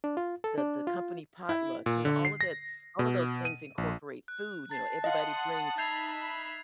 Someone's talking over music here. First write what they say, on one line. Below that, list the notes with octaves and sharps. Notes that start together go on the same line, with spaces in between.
the the company potlucks, you know, all of that all of those things incorporate food, you know, everybody brings
D4
F4
A4
D4
F4
E4
A#2
D3
C7
A#6
B2
D#7
A#1
F#6
A5 A6 C7
D#5 F5 F#5 C6 D#6
D#4 E5 B5 G6 G#6 C7 F7